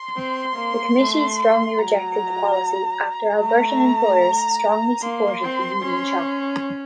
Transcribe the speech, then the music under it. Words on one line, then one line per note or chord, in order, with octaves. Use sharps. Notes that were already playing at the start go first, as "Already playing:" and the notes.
The committee strongly rejected the policy after Albertan employers strongly supported the union shop.
Already playing: C6
C4
A#3
A3
F#3 A#5
A3 A#5
A#3 C6
C4
C#4